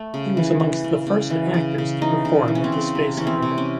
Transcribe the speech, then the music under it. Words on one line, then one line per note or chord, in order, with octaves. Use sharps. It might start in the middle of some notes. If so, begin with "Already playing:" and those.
He was amongst the first actors to perform at the Space Theatre.
Already playing: A3
C#3
E3
E3
C#3
C#3
E3
C#3
C#3
E3 D#4
C#3
E3
C#4
C4
C#3
C3
E3 C#4
C4
C3
C#4